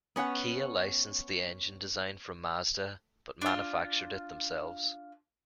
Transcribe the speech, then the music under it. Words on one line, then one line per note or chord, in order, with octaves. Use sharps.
Kia licensed the engine design from Mazda, but manufactured it themselves.
B3 C#4 C#5 F#5
D4 F4